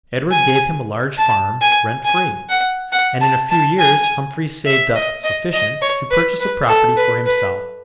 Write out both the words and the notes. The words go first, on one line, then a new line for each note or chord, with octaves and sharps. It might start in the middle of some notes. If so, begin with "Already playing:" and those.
Edward gave him a large farm, rent free; and in a few years Humphrey saved up sufficient to purchase a property for himself.
G#5
A5
G#5
G#5
F#5
F#5
A5
A5
G#5
E5
D#5
D#5
D#5
C#5
B4
B4
A4
B4
B4